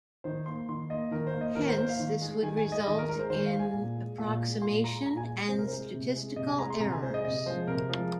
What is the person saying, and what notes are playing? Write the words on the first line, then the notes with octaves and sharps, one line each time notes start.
Hence, this would result in approximation and statistical errors.
D#3 C5
A#3 C6
D#3 C6
A#3 D#5
D#3 A#4
C5
A#3
D#5
D#3 A#4
C5
A#3 C5
F5
D#3
G#3
D#3 G#5
G#5
G#3
D#5
D#3 D#5
A#4
G#3 A#4
C5
D#3 C5
F5
G#3
G#5
A#2
G#3
A#2
G#3
A#2 C6
G#3 A#5
A#2 A#5
G#5
G#3
C3 C5
A#4
G#3 C5
C3
G#3
C3 D#5
G#5
G#3 A#5
C6
C3 A#5
G#5
G#3 C5
D#5
C3 D#5
F3 G#3 C5
C3 A#4
F3 G#3